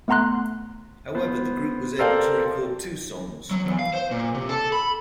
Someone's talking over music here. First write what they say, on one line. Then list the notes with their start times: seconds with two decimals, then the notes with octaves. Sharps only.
However, the group was able to record two songs.
0.08 A3 B3 F#5 A#5 C6 F#6
1.15 B3 C5
1.99 A4 A#4 C5 D5 F5 G5
3.51 F#3
3.66 E2
3.79 F5
3.94 C5
4.11 A#2
4.35 C3
4.49 A4
4.72 B5